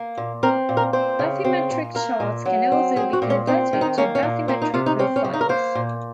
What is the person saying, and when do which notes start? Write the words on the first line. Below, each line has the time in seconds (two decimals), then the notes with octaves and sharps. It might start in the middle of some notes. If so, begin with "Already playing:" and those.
Bathymetric charts can also be converted to bathymetric profiles.
Already playing: A#3
0.18 A#2
0.43 C4 A#4
0.69 A#2
0.77 A#4
0.93 C4 C5
1.19 C#3
1.44 C4
1.70 A#2
1.95 A#3 A#4
2.20 A#2
2.46 F#3
2.72 C4
2.96 C4 G#4
3.13 F#4
3.22 A#2
3.30 C#4
3.47 C4 D#4
3.73 D#3
3.81 D#4
3.98 A#3 C#4
4.15 C#4
4.23 A#2
4.48 A#3 C4
4.62 D#4
4.74 C3 F4
4.86 D#4
4.99 C4 C#4
5.16 C#4
5.24 C#3
5.33 D#4
5.41 A#4
5.49 A#3 C5
5.75 A#2